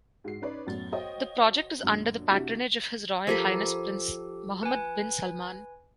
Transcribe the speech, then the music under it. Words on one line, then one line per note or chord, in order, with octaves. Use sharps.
The project is under the patronage of His Royal Highness Prince Mohammed bin Salman.
G#2 F#4 C7
C#4 D#4 B4 C#5 D5
F#2 A2 F#3 B3 A6
F#4 C5 C#5 D#5 F5 G5
F#2 A#2 D3
C3 D4 E4 F#4
F3 G4 A4 A#4 B5
B4 G#5